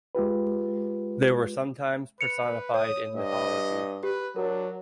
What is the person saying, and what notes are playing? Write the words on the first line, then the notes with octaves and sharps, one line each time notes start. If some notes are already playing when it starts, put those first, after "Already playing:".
They were sometimes personified in mythology.
G#3 F4 G4 B4
B4 C#7 F7
C#5 D#6
G2 D#5
G4 B4
F#3 D4 A#4